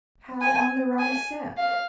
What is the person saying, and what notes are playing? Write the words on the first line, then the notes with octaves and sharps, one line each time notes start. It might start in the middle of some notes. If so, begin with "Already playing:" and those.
"How on the wrong scent?"
G#5
G#5
F5